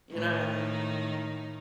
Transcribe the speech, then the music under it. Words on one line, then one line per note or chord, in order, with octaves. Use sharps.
You know what I me
A2 D#3 D#4